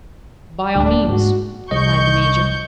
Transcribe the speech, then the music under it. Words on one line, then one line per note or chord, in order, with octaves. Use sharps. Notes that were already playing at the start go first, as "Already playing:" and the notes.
"By all means," replied the major.
D1 D4
G#2 F#4
C2 D#5 C#6 G6